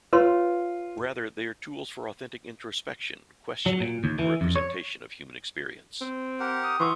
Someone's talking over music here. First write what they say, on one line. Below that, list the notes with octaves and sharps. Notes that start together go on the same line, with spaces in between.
Rather, they are tools for authentic introspection, questioning and representation of human experience.
F4 B4 C#5 C6
F#3
A#2
D#2
E3
F2
C#5
C4
G4 A#4 F#5
D#6
E3 F#4 C6 C#6